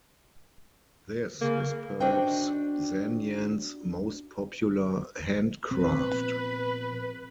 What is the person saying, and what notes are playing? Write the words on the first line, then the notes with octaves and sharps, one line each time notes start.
This is perhaps Zanjan's most popular handcraft.
C#3 A#3
D4 F#4 C5 D#5 G5
A#2 F3 B3 C4 B4